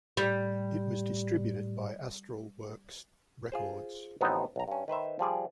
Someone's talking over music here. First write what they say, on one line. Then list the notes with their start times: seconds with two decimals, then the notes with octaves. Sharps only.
It was distributed by Astralwerks Records.
0.17 A2 G3
3.52 F4 G#4 C5
4.21 A1 D2 F3 B3 C4 D#4
4.56 B1 A#5
4.68 G2 C#4
4.88 D#3 B4 C5 E5
5.19 F3 G3 G#4 D5